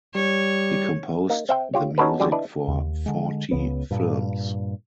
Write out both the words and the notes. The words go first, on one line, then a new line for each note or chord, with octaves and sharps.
He composed the music for forty films.
G3 C#5
A#3 D#4
C4 E5 G5
F4 G4 C#5
C#4 D#4 F#4 A4 B4
D3 F#3 G3 C#4 G#4
D4 E4 B4 D5 D#5
D#2
D3 G#3
C#2 C#3 B3
G2 A#2